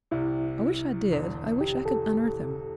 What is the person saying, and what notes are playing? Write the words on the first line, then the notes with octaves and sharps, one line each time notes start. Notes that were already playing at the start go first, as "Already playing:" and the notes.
I wish I did; I wish I could unearth him.
C2 C3 G3 E4
E1 E2 D3
G4
A4